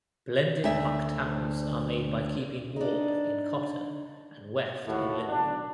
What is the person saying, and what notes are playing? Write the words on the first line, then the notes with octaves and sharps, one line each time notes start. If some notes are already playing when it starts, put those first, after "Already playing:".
Blended Huck towels are made by keeping warp in cotton and weft in linen.
D2 E5
D4 D#4
D#2 A2 F#4
B1 D4